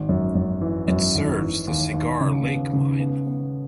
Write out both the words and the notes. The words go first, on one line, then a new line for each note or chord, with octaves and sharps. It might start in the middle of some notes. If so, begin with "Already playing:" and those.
It serves the Cigar Lake Mine.
Already playing: G#1
F#2
F#2
E3
F#2
G#1
E3
D#2
D#2
C#3
B3
C#3
B3
B3